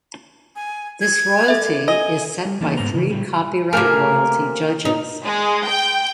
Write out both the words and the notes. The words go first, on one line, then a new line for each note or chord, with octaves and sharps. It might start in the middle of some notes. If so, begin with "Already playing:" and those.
This royalty is set by three copyright royalty judges.
G#5
G#6
A4 E5
D#5 G#5
G3
E3 A3 A#3 D4 D#4 A5
G#2 D3 B3 D4 C5 A#5
C#3 E3
A#2 D3 F#3 G3 A3 A#3
C3 A3 A#3 G#4 A#4
D#4
G#3
G5